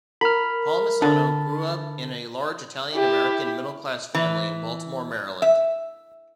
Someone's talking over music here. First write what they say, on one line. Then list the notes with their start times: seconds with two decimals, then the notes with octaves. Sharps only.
Palmisano grew up in a large Italian-American middle class family in Baltimore, Maryland.
0.21 A#4 B5 F6
1.02 D3 A5
2.94 E4 G4
4.14 E3
5.42 E5